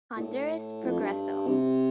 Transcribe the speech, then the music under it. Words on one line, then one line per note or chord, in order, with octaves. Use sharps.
Honduras Progreso.
A#2
A2
F2
G2
C3